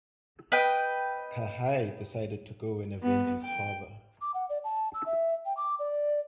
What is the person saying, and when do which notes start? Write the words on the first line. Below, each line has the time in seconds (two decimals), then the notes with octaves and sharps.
Kaha'i decided to go and avenge his father.
0.52 B4 D#5 G5
3.03 B3
3.43 G5
4.21 D6
4.34 F#5
4.49 D5
4.64 A5
4.94 E6
5.06 E5
5.46 G5
5.57 D6
5.79 D5